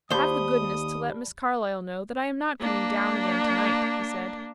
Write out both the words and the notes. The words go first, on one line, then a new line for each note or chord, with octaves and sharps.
"Have the goodness to let Miss Carlyle know that I am not coming down again to-night," he said.
D#2 G4 C5 D5 A5 B5 D#6 G7
A#3 D4